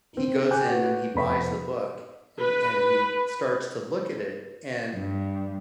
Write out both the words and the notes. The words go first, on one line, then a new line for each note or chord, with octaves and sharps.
he goes in, and he buys the book, a and he starts to look at it, and
C4 D#4
G5 G#5 D6 F#6 G6
F#4 B4
F1 B3 B5 B6
B4
G2